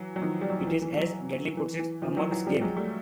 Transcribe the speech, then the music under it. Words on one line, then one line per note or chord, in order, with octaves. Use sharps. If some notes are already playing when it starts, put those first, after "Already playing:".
It is, as Gadling puts it, a mug's game.
Already playing: E3 F#3
F#3
D#3 F3
G3
F#3
F3
E3
E3
E3 F#3
E3
E3
D#3 F3
E3 F#3
E3 F#3
F3 G3
F#3 G#3
G3 A3